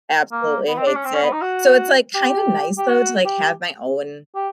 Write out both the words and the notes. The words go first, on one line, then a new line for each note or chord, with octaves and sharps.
absolutely hates it, so it's, like, kinda nice though, to, like, have my own
A#3
B3
C4
D4
C#4
C4
C#4
B3
D#4
F#4
G4
G4
F#4
G4
G4